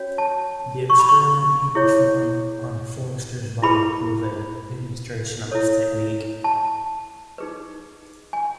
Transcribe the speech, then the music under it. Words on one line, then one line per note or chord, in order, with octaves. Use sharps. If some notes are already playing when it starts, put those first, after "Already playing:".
The experiment he performed on Forster's body was a demonstration of this technique.
Already playing: C#4 F#4 C#5
A5
C#6
B5
C#6
E4 G#4 C#5
E4 G#4 B4 B5
E4 A4 C#5
A5
D#4 G#4 B4
G#5